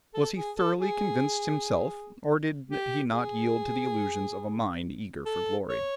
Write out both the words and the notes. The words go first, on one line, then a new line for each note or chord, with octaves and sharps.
Was he thoroughly convinced himself, or did he not yield to the illusions of a mind eager for glory?
A4
G#4
A4
G#4
G4
G#4
A4
C#5